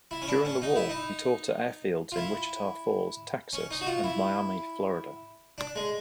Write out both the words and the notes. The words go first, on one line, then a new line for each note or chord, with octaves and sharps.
During the war he taught at airfields in Wichita Falls, Texas, and Miami, Florida.
E4
C#4
D4
C#4
D#4
E4
D#4
F4
E4
C#4
D#4
F#4
F4
E4
D4
G#3